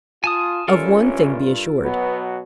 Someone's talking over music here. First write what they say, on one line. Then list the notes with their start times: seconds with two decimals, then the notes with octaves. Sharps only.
Of one thing be assured.
0.24 F4 G#5 A5 D#6
0.68 A1 G3 C#4 F4 A4 A#4
1.05 G2
1.83 B2 F#3 B3